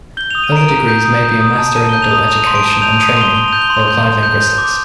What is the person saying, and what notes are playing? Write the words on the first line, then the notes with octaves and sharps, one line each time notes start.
Other degrees may be a Master in Adult Education and Training or Applied Linguistics.
G6 G7
D#6 F7
D#7
A#5 D7
A#5
G6
D#6
G6
D#6
A5
A5 D#7
G6 G7
F7
D#6
D#6 F7
C6 D#7
D7
A5 D#7
G6 F7
D#6 D#7
F7
C6 G7
C6 G7
G6 F7
G7
C6 F7
G6
C6
G6
G6
D6